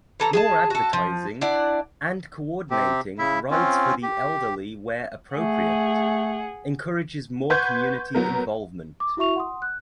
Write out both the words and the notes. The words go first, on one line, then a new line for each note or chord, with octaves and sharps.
More advertising, and coordinating rides for the elderly where appropriate, encourages more community involvement.
E3 A4 A#5
G#4 G#5 A5
F#4 A4
F3
D4 E4 D5 F#5
C3 C4 G4
C#3 E4 E5
C4 C#4 F4
G4
A3 G#4 F#5
B4 F#5 C6 C#6 G6 G#6
F#3 B3 A#4
D6
E4 F#4 E5 C#6 F7
F#5 C6 D#6
F#6